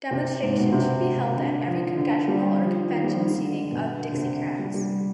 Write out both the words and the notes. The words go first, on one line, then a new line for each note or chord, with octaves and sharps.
Demonstrations should be held at every Congressional or convention seating of Dixiecrats.
C3
G#2
B2
D3
C3
D3
F3
D3
G3
F3
D#3
G3
F3
D#3
D3
D3
B2
D3
C3
D3
G3
G3